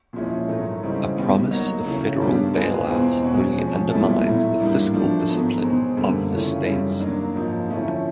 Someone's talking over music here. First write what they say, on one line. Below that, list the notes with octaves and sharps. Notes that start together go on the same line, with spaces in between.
A promise of federal bailout only undermines the fiscal discipline of the states.
A#2 F3 G#3 C#4 E4
G#2 D#3 F#3 A3
C#3 E3 G3 C4 D#4
D#3 G3 B3
F#3 A#3 D#4 F#4
C#3 E3 A3 C#4
G2 D#3 G3 B3 D4
G#3 C4 F4 G#4 B4
E2 B2 G#3 C4
B2 G#3 C#4 F#4
F3 G#3 C#4
A#2 G3 B3 E4 A4
A2 F#3 B3 E4
G#2 E3 G3 A#3 D4
F3 A3 D4
G#2 D#3 F#3 B3
B2 G#3 C4
F#2 D3 G3 A#3
C#3 E3 A3 C#4 F4
F#2 D#3 G3
C3 D#3 F#3 A#3 D4
G#2 F3 A#3 D#4
D3 F3 A3 C#4 E4